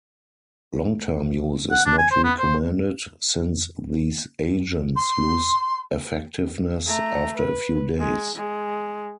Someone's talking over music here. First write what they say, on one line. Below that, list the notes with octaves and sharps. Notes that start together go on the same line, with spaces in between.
Long-term use is not recommended, since these agents lose effectiveness after a few days.
F#5
D4
G#5
C5
B3
C5
C6
A3 A#5
B4
G#3
G#3